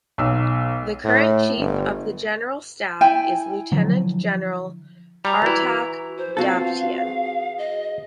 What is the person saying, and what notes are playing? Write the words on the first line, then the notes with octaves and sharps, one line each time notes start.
The current Chief of the General Staff is Lieutenant General Artak Davtyan.
B1 E6
A2
G1
E4 G5 G#5
D3 F3 F#3
G3 A#5
E3 E4 F#4
C5
C4 F4 F#4 A4 F5
G#4
D#5